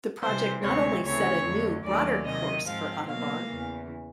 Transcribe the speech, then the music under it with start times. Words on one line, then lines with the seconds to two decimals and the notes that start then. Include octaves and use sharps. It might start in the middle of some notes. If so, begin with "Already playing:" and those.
The project not only set a new, broader course for Audubon.
0.22 C3 E3 G3 C4 C5
0.63 D2 C3 E3 G#3 C4 C#5
1.04 D2 C#3 E3 A3 C4 C#5
1.44 F2 D3 F#3 A3
1.84 D#2 D#3 F#3 A3 C#4 D5
2.25 C3 D#3 F#3 D#5
2.66 G#2 F3 G#3 C4 F5
3.06 B2 F#3 A#3 F5
3.47 E2 C#3 E3